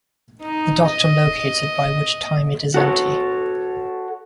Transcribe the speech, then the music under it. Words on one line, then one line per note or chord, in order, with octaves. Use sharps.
The Doctor locates it, by which time it is empty.
D#4
D#5
F#4 A4 C#5